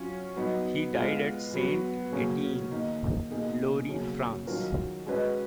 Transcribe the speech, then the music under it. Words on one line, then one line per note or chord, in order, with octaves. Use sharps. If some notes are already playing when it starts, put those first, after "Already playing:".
He died at Saint Etienne, Loire, France.
Already playing: F#3 C#4 F4
F#3 B3 D#4
G#3 B3 F4
F#3 B3 F#4
C#3 F#3 A#3 C#4
D#3 A#3 D#4
B2 A#3 D#4 G#4
C#3 F#3 A#3 C#4
D#3 F#3 C#4 F4 A#4
G#3 C#4 F#4 B4 D#5